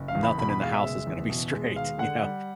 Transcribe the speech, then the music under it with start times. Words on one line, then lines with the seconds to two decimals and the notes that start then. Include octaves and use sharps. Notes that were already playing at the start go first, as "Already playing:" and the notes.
nothing in the house is gonna be straight, you know?
Already playing: F#1
0.08 F5
0.15 E2
0.23 B5
0.38 B2 B5
0.49 B5
0.61 G#3 F5
0.72 E5
0.84 F#1
1.07 E2
1.30 B2
1.53 G#3
1.76 D#2 F5
1.98 D3 F#5
2.21 G3